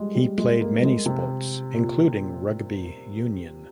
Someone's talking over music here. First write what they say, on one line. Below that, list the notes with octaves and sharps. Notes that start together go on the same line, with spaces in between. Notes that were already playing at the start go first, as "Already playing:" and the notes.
He played many sports including rugby union.
Already playing: G3 G#3
G3
G#3
A#3
G#3
C3
A#2